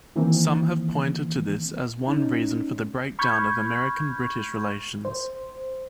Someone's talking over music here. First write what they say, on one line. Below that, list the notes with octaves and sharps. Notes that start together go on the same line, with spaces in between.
Some have pointed to this as one reason for the breakdown of American-British relations.
D#3 E3 A#3 C4
C#4 D#4
B5 C#6 F6 G6 G#6
C5